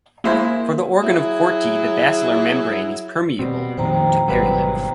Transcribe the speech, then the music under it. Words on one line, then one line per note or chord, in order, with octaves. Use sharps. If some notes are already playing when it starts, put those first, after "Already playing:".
For the organ of Corti the basilar membrane is permeable to perilymph.
G#3 A#3 E4 C5
F#3 E4 G#4
B2 G3 C4
F2 A#2 D#3 C5 G5 A#5
G#1 B2 F#3 G3 B4